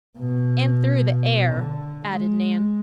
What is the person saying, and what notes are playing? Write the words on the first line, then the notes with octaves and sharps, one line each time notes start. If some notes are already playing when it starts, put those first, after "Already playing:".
"And through the air," added Nan.
B2
D3
G#3